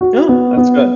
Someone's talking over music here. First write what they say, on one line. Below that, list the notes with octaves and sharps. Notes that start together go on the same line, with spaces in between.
Oh, that's good,
F#4
B3
B3